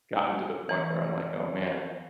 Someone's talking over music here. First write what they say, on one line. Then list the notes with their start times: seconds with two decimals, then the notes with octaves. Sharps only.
gotten to the point where I'm like, "Oh, man"
0.69 E3